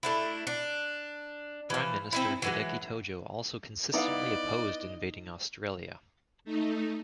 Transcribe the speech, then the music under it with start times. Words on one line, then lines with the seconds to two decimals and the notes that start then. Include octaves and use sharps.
Prime Minister Hideki Tojo also consistently opposed invading Australia.
0.03 A3 D4 E4
0.47 D4
1.70 E3 F3
2.13 C4 D#4 E4
2.42 E3 F#3 G#3
3.94 B3 D#4 E4 D5 D#5 F5
6.45 A3 D#4